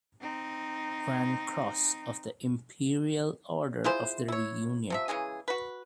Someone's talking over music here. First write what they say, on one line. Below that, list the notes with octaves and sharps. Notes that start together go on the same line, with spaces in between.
Grand Cross of the Imperial Order of the Reunion.
C4 D#4
E4 F4 G#4 C5
E4 C#5
C3 F3 E5
C#3 E3 G#3 G#4
F#4 B4